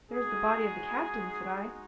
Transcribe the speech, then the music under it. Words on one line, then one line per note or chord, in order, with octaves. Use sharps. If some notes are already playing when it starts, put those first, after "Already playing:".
"There is the body of the captain," said I.
G#3 D#4 F#4 G#4